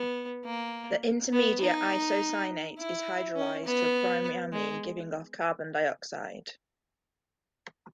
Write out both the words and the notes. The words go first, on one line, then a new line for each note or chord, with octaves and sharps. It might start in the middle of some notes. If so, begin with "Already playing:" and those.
The intermediate isocyanate is hydrolyzed to a primary amine, giving off carbon dioxide.
Already playing: B3
A#3
B3
D#4
E4
C#4
B3
G#3